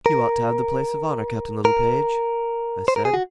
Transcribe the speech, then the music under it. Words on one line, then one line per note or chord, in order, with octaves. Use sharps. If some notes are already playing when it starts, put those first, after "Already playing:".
"You ought to have the place of honor, Captain Littlepage," I said.
A#4
A#4
C5
A#4
G#4
F#4